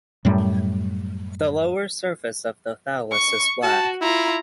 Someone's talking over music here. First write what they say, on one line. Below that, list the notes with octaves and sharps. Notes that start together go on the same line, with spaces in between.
The lower surface of the thallus is black.
F#2 A2 G3
C#6
F#4 A5
E4 F4 A#5